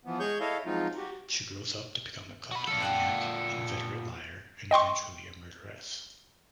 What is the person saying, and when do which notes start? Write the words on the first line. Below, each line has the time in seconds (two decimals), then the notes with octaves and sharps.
She grows up to become a kleptomaniac, inveterate liar, and eventually a murderess.
0.05 E3 F3 B3
0.20 G#3 G#4 C#5 C#6 G6
0.40 E4 A4 C#5 D#5 F5
0.66 F3 F#3 G#3 C4 D#4 F4
0.97 F#4 G4
2.51 F#4 B5
2.67 A#2 A4 F5
2.80 F4 F#5 G5
4.71 D#5 G5 C6 C#6